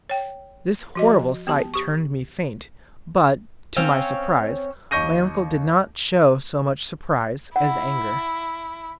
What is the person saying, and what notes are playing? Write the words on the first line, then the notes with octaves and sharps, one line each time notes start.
This horrible sight turned me faint, but, to my surprise, my uncle did not show so much surprise as anger.
C#5 G5
F3 F#4 D#5
B3 G4 A5
G4 C#6
C4 C#4 C#5 F5
D#2 D#5 C#6 G6 A#6 D#7
E4 F#5